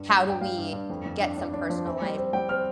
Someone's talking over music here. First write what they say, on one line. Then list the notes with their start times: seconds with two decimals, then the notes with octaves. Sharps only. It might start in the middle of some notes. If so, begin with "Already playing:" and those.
How do we get some personal life
Already playing: G2
0.10 G3
0.25 G2 G5
0.41 G3 F5
0.58 G2
0.73 G2
0.90 F2
1.06 F2
1.21 D4
1.38 D4
1.53 D4
1.70 F3
1.85 C4
2.02 G3
2.17 C4
2.33 G3 G5
2.49 C4 F6